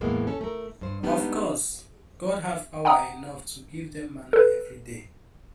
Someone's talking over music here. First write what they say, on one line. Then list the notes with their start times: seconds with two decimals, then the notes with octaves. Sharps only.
Of course, God had power enough to give them manna every day.
0.01 E2 A2 E3 G#3 A#3 B3
0.27 C#4 A4
0.41 A3 A#4
0.81 G2 C5
1.03 G3 G#3 B3 D4 D#4
2.85 F#5 G5 A#5 D#6
4.33 A4 B4